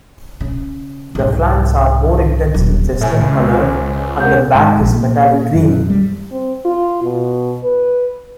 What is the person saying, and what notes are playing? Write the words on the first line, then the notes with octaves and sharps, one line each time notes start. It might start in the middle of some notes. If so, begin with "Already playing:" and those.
The flanks are more intensely chestnut colored and the back is metallic green.
C#3
C2 G#2
D#1 F#3
A2 E5 G#5
C#2
F4 C5 G#5
A#4 F#5 G6
G#2
A#1
A#2
F#2
G3
C4
F4
B2
B4